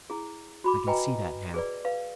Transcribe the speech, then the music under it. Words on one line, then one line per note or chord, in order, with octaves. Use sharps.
I can see that now.
E4 G#4
F#4 B5 D6
B4 D#5 G5 G#5 A#5
G#4 B4 D5
B4 F5